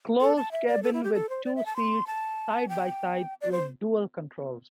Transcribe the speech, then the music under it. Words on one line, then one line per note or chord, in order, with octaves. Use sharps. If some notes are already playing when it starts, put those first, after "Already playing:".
Closed cabin with two seats side-by-side, with dual controls.
A4
A5
E5
D5
A4
E4
G4
A4
C5
D5
E5
A5
C6
A5
G5
D5
C5